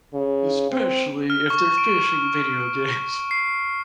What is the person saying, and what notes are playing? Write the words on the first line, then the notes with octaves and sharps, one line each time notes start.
"Especially if they're fishing video games."
C#3
C4
F6
C#6
D7
C7